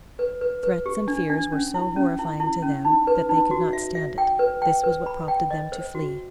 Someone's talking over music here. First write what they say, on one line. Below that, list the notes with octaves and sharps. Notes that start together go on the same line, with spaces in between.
Threats and fears were so horrifying to them, that they could not stand it; this was what prompted them to flee.
B4
B4
B4
G4
D4
D4
C#4
E4
C#4
E4
E4
C#4
D#4
B4
D#4
F#4
E5
E5
G5
B4
G5
B4
B5
G5
D#5
C5
F#4